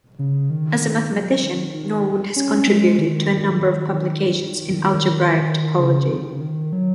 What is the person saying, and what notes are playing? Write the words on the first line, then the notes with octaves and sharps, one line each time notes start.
As a mathematician, Norwood has contributed to a number of publications in algebraic topology.
C#3
D#3
D#3
F#3
D#3
D#3
C#4
G#3
D#3
D#3
C#3
D#3
C#3
D#3
F#3